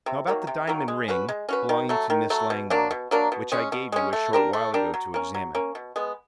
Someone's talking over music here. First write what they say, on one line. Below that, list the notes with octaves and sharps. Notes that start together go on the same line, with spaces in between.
Now about the diamond ring belonging to Miss Langmore, which I gave you a short while ago to examine?
C3
D#3 F#3 A#3
C3
D#3 F#3 A#3
G#3
C#4 F#4 B4
G#3
C#4 F#4 B4
D#3
F#3 A3
D#3
F#3 A3
B2
F#3 A#3 D4
B2
F#3 A#3 D4
B2
G#3 C#4
B2
G#3 C#4
A3
D4 G4 A#4
A3
D4 G4 A#4
F#3
A#3 C#4
F#3
A#3 C#4
B2
G#3 B3